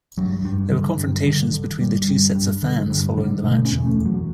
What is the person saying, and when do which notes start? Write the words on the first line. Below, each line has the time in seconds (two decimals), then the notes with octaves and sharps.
There were confrontations between the two sets of fans following the match.
0.18 G2 F#3
0.45 G2
0.72 D3
0.99 G2
1.27 D3
1.54 D3
1.81 G2 G3
2.08 G2
2.35 G2
2.63 D3
2.90 G2
3.17 D3
3.45 B2 A3
3.65 C#4
3.72 E2
3.86 A3
3.99 E2
4.05 F#3